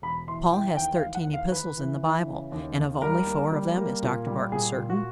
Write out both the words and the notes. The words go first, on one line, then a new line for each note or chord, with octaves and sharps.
Paul has thirteen epistles in the bible, and of only four of them is Dr. Barton certain.
E1 B5
E3 C6
E3 G5
D#2 G5
F5
E3
F#5
D#2
F5
D#2 B4
E3
E3
C#3
D#2
D#2
G3 A#4
A#3
G3
A#3
A#2
G3
A#2 G#4
A#2
F#4